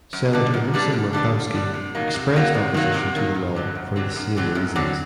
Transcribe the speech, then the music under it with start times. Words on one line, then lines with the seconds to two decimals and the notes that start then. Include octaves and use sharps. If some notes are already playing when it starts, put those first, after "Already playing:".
Senator Lisa Murkowski expressed opposition to the law for the same reasons.
0.13 F#2
0.33 D3 G3 D4
0.54 F#2
0.74 D3 G3 D4
0.93 F#2
1.13 D3 G3 D4
1.34 F#2
1.53 D3 G3 D4
1.74 C3
1.95 D#3 F#3 A#3 D#4
2.14 C3
2.34 D#3 F#3 A#3 D#4
2.54 C3
2.74 D#3 F#3 A#3 D#4
2.94 C3
3.15 D#3 F#3 A#3 D#4
3.35 F#2
3.55 D3 F#3 C4
3.75 F#2
3.96 D3 F#3 C4
4.16 F#2
4.36 D3 F#3 C4
4.55 F#2
4.76 D3 F#3 C4